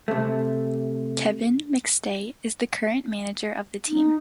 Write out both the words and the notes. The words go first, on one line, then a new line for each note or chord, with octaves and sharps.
Kevin McStay is the current manager of the team.
C3 A3
D#4